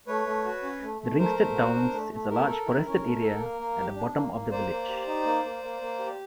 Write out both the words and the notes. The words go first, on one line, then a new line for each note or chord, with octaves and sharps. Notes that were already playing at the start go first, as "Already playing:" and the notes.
The Ringstead downs is a large forested area at the bottom of the village.
A3 B4 C#5
A3
F#4
C#4
A3
A3
A3 A#4 C5
A3
F#4
D4
A3
A3
A3 A#4
A4
E4
C#4
A3
A4
A#3
A#3
G4
D4
A#3
A#3
A#3 C5 D5
A#3
G4
D#4
A#3
A#3
A#3
A#3
G4